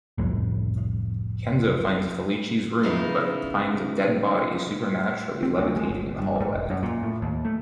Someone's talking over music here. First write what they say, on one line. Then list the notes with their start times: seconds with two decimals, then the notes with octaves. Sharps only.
Kenzo finds Fellicci's room but finds a dead body supernaturally levitating in the hallway.
0.18 G1 C2 F2 A2
2.83 C#3 B3 D#4 E4
5.43 C4
5.58 D2
5.76 G#3
5.89 G1
6.18 G2
6.40 G#2
6.54 E1
6.70 F#2
6.83 A#2
7.03 A2
7.22 D#2
7.45 A3